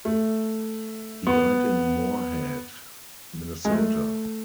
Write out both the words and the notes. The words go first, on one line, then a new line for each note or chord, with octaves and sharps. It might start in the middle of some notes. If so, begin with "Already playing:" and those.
He died in Moorhead, Minnesota.
A3
B3
G#3
A3